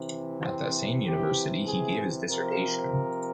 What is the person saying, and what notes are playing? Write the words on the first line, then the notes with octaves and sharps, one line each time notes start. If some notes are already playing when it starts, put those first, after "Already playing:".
At that same university, he gave his dissertation.
Already playing: C3 E3
C4
G4
G#4
C3 F3 A#4